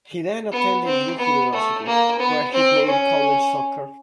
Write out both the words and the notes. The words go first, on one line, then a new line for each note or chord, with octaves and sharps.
He then attended Duke University where he played college soccer.
B3
C4
B3
A3
A#3
B3
C4
C#4